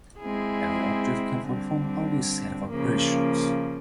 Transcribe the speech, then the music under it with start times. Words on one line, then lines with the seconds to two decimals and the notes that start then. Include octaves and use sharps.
Every object can perform only a set of operations.
0.20 G#3 C4 E4 G#4
1.45 D3 G3 C4
2.69 C#3 F3 A#3